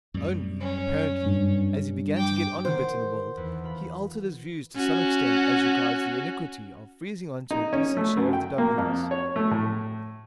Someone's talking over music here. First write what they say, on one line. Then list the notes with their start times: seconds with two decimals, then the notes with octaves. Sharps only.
Only, apparently, as he began to get on a bit in the world, he altered his views to some extent as regards the iniquity of freezing on to a decent share of the doubloons.
0.14 F#2 G3
0.61 C#4
1.26 G2
2.16 G5 D6
2.65 D#3 C5 F#5
3.37 E2 B4
3.64 F4 B5
4.76 C#4 F#4
7.51 D#4
7.73 C#4
7.97 A3
8.17 F#2
8.33 G5
8.58 A#3
8.78 F2
9.11 C#5
9.36 A3
9.51 A2